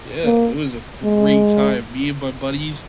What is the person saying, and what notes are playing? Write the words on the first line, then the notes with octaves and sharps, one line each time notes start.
Yeah, it was a great time. Me and my buddies,
A#3
G#3